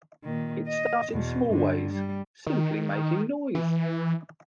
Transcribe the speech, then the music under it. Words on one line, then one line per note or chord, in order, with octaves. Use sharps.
It starts in small ways, simply making noise.
A#2 D#3
D#5
E2 B2
G2 D3
G3
D#3
E3